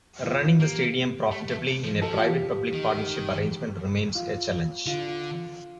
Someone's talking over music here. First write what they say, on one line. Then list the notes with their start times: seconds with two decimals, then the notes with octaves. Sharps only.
Running the stadium profitably in a private-public partnership arrangement remains a challenge.
0.25 F4
0.60 A#3 G4
1.31 A3
1.48 A3
1.84 F3
2.02 F3 A4
2.10 G4
2.18 F4
2.25 G4
2.73 D#3
4.15 F4
4.86 D3 F4